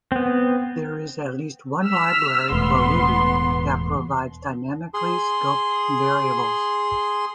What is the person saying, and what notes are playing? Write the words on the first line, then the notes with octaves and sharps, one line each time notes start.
There is at least one library for Ruby that provides dynamically-scoped variables.
B3 C4
E6 F6 B6
E1 A2 B3 C6
G#4 C6